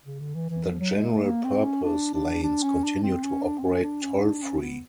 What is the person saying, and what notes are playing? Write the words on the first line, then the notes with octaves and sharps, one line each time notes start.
The general purpose lanes continue to operate toll-free.
C#3
D3
E3
E3
F3
F#3
G#3
A3
A#3
C4
C#4
D4
D4
D4
C#4
D4
C4
C#4
D4
C4
C#4
D4
C#4
D4
C#4
B3